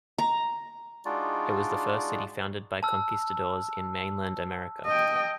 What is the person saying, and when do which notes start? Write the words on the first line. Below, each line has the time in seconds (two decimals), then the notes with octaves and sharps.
It was the first city founded by conquistadors in mainland America.
0.18 A#5
1.05 G#3 D4 D#4 F4 F#4 D5
2.83 A5 E6 F6
4.86 D#5 G5